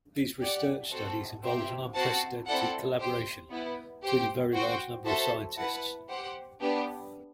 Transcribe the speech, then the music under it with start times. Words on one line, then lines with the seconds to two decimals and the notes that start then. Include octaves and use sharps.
These research studies involved an unprecedented collaboration between a very large number of scientists.
0.40 G4 D5 F#5
0.91 C4 F#4 A4
1.44 C4 G4 C5 E5 G5
1.95 C4 F#4 C5 F#5 A5
2.47 C4 E4 A4 D5 F#5
2.99 G4 C5 G5
3.50 B3 E4 B4
4.03 G4 C5 G5
4.53 F#4 C5 G5
5.05 F#4 A4 C5 E5 A5
5.57 E4 B4 F#5 A5
6.09 G4 C5 F#5
6.61 B3 D4 G4